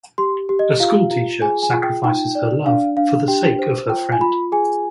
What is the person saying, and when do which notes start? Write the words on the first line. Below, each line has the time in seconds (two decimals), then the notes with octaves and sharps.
A school teacher sacrifices her love for the sake of her friend.
0.18 G4 C6
0.49 G4
0.59 D#5
0.80 F4 F5
1.11 F4
1.42 G#4 G#5
1.62 G#5
1.73 F4
1.83 G5
2.04 D#4 G5
2.35 D5
2.66 D4 F5
2.97 D4 F5
3.28 G4 G5
3.59 C5
3.90 F4 G5
4.12 G#5
4.21 F4 B5
4.52 G#4 G#5